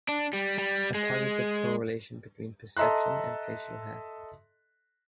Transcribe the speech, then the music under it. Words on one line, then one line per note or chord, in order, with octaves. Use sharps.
A positive correlation between perception and facial hair.
D4
G3
G3
G#3
A4 D#5 E5 A#5 C6 F#6